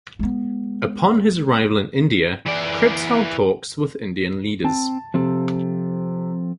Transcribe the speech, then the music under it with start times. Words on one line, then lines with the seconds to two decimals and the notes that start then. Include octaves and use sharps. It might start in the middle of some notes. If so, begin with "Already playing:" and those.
Upon his arrival in India, Cripps held talks with Indian leaders.
0.19 G#3 B3
2.46 E3 D5
4.64 C4 A5
5.14 C3 F3 C4 A4